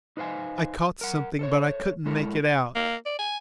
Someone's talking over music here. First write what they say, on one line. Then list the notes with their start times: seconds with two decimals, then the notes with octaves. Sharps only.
I caught something, but I couldn't make it out.
0.17 D#4 B4 C5 F5 G#5
1.01 A#4 F#5
1.39 A4 C5 C#5
2.06 G#3 E4 A4 A#4
2.75 A#3
3.06 D5
3.19 G#5